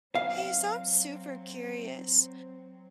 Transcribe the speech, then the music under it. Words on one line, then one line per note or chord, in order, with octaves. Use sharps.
Hey, so I'm super curious.
F#3 C4 F5